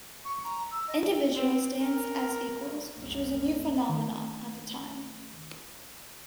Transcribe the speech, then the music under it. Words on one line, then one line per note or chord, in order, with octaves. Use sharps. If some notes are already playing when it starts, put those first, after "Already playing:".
Individuals danced as equals, which was a new phenomenon at the time.
C#6
A#5
E6
D#5
C4
A#4
F#1 C2 A#3
D#3 A3